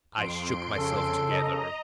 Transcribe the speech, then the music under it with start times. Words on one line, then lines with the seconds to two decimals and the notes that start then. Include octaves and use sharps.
I shook myself together.
0.17 F2 C6 D7
0.78 C#3 A4
1.29 D#5 A#5